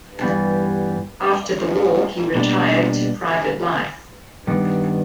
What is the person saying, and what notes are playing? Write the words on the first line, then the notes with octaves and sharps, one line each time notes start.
After the war he retired to private life.
G2 E3 G3 B3
B2 G3 A#3 D4
G2 D#3 G3 B3